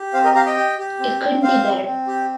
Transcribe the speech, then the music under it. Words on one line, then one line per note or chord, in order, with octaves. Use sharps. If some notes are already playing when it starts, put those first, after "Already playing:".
It couldn’t be better.
Already playing: G4
C4 C5 F5
A#4 D#5
G4 F5 A#5
D#5 G5
G4
G4
C4
C4
C4 C5 F5
C4
C4
G4